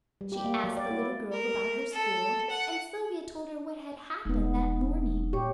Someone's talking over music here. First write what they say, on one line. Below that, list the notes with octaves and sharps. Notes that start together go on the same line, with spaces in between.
She asked the little girl about her school and Sylvia told her what had happened that morning.
G3
G4
A#3
F#3
D5
E4
A#4
A4
F#5
E1 G#3 B3 D#4
A#2 G4 C#5 C#6